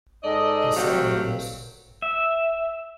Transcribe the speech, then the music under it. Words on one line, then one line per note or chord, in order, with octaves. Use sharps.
He said he is.
G#2 A4 D5 D#5
F#3 G3 A3 C4 G4 F5
E5